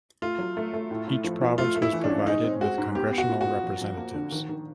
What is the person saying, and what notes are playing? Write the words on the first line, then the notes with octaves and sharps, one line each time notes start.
Each province was provided with congressional representatives.
A3 F4
F#3
A3
A3
A2
A2
F3
F3
A3 F4
A3
E4
E3
D4
C#4
G#3 D#4
C4
G#3 F#4
G#2
B3 G4
B3
F#4
A#2
F#4
A#2
F2
F2
A#3
D3
D#3
D#3